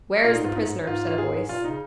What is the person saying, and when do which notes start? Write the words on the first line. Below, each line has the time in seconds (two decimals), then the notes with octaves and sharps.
"Where is the prisoner?" said a voice.
0.24 A#2 F4
0.35 D#4
0.41 G#2 F4
0.56 G#2 D#4
0.66 G#2
0.87 G#2 F4
1.07 F4
1.18 G#4
1.49 A#2 F4
1.59 A#2
1.64 D#4
1.70 C#3